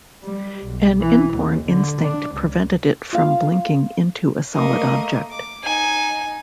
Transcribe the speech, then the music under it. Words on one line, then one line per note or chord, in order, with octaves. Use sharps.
An inborn instinct prevented it from blinking into a solid object.
G3
B1
E3
D#2
D3
D4
C#2
F4 F5
A3 A#3 D#5
D6
D#4 G#5